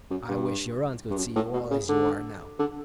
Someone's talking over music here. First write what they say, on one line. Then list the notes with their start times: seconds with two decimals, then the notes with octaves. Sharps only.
I wish your aunt could see you all as you are now.
0.11 F#2
0.29 G2
1.10 G2
1.17 F#2
1.35 A2
1.53 B2
1.71 C#3
1.89 D3
2.59 D3